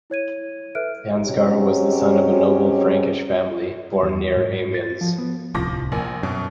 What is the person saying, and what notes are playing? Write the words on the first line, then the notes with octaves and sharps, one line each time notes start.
Ansgar was the son of a noble Frankish family, born near Amiens.
E4 C#5 G#6 D#7
A4 B4 E5 F6 F#6 D7
F#3 G#3 C4 C#4 G4
E2
G#2
A6
F3
B3
D1 C2 F3 D6 A#6
A#1 A#3 G#5
F#2 B2